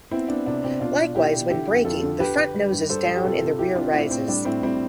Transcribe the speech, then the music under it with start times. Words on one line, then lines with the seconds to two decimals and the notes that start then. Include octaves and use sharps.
Likewise, when braking the front noses down and the rear rises.
0.11 B3 C4 E4
0.28 B3 D4
0.46 C3 D4
0.64 C3 C4
0.80 B2 D4 F4
0.98 B2
1.15 B2 E4 G4
1.33 B2
1.50 D3 E4 G4
1.68 F2
1.85 F2 F4 A4
2.03 D3
2.20 D3 G4 B4
2.37 D3
2.54 G3
2.72 G2
2.89 G3 A4 C5
3.07 G3
3.16 G4
3.24 C3 F4 A4
3.42 C3
3.59 C4 E4 G4
3.76 C4 D4 F4
3.93 A2 C4 E4
4.11 A2 C4
4.28 G3 D4
4.45 A2 C4 E4
4.63 G3 C4 E4